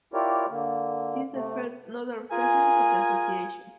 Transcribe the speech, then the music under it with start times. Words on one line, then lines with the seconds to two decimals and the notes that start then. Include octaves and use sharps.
She is the first Northern President of the association.
0.14 E4 F4 G4 A#4 C#5 D5
0.50 D3 A#3
1.33 C3 A3
2.32 F4 G#4 A#4 G#5